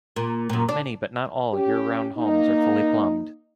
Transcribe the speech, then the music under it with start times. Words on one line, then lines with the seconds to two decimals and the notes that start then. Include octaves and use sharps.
Many but not all year-round homes are fully plumbed.
0.16 A#2
0.49 F#2 A#2
0.69 D4
1.54 C#4 G4
2.18 A#3 D#4